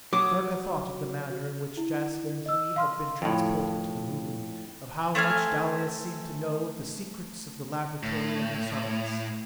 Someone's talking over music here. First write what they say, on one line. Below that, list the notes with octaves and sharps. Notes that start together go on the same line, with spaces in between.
Sarka thought of the manner in which Jaska and he had been transported to the Moon; of how much Dalis seemed to know of the secrets of the laboratory of the Sarkas.
F#3 D6 D#6
E4
D#5 E6
F5 C6 F6
F2 A2
A3 C4 G#5 F6
A2